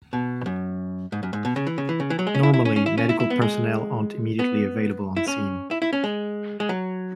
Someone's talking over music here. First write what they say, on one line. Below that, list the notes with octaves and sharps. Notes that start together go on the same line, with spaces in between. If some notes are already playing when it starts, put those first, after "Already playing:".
Normally medical personnel aren't immediately available on scene.
B2
F#2
G#2
F#2
G#2
B2
C#3
E3
C#3
E3
C#3
E3
F#3
G#3
C#4
E4
E4
C#4
C#4
E4
C#4
E4
E4
B3
G#3
B3
E4
C#4
E4
E4
C#4
G#3
G#3
F#3